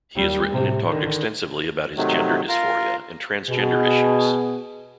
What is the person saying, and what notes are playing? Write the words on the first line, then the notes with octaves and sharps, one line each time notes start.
He has written and talked extensively about his gender dysphoria and transgender issues.
D#2 G3
A2 C3
D3 D#3
C3 D#3 F#3 A3
F4 A#4
B2 G#4